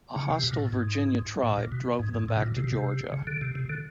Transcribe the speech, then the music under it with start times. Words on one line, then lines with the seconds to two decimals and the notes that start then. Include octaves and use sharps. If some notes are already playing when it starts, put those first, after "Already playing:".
A hostile Virginia tribe drove them back to Georgia.
0.16 C#3
0.30 C3
0.44 B2
0.51 A#2
0.59 A2
0.72 G#2
1.43 A2
1.57 A#2
1.72 B2
1.99 G#2
2.14 G#2
2.29 A2
2.37 B2
2.42 A#2
2.56 C3
2.64 B2
2.72 C3
3.12 C#3
3.27 D3
3.41 C3
3.55 C3
3.69 D3